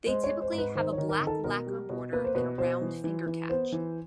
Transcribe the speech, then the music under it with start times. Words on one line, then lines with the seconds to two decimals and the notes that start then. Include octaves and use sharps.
They typically have a black lacquer border and a round finger catch.
0.06 G#3 C5
0.24 C#5
0.29 G#3
0.42 C5
0.52 G#2
0.58 B4
0.75 D#3 C5
0.92 C#5
0.98 D#3
1.09 A#4
1.21 D#3
1.27 A4
1.44 B2 A#4
1.67 G3
1.90 B2
2.13 A#3 B4
2.24 C5
2.35 B2 B4
2.58 B2 C5
2.81 E3
3.04 E3
3.26 E3
3.49 B3 C5
3.72 E3